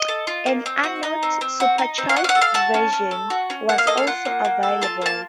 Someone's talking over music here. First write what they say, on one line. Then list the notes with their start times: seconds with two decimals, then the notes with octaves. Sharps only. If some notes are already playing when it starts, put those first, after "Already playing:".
An Arnott supercharged version was also available.
Already playing: D#5
0.08 A4
0.27 F4
0.46 A#3
0.66 C4
0.84 F#4
1.03 D#4
1.23 C4
1.41 C4
1.60 F#4
1.78 D#4
1.98 C4
2.09 F5
2.16 C#4 F#5
2.24 F5
2.29 F#5
2.35 A4
2.41 F5
2.54 F#4 A5
2.74 C#4
2.93 C#4
3.11 A4
3.30 F#4
3.50 C#4
3.69 A#3 F#5
3.78 F5
3.87 A4 D#5
3.97 F5
4.07 F4 F#5
4.25 A#3
4.45 A#3
4.63 A4
4.82 F4 A5
5.02 A#3 A5